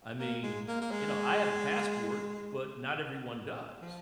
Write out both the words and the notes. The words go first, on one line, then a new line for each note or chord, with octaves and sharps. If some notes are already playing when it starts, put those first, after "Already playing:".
I mean, you know, I have a passport, but not everyone does.
A#3
G#3
A#3
A#3
G#3
F3